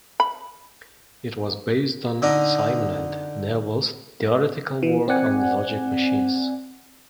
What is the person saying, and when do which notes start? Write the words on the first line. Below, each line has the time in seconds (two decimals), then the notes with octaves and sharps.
It was based on Simon and Newell's theoretical work on logic machines.
0.20 B5
2.22 D3 D4 D#4
4.83 E3
5.08 C4 D5 F#5 G#5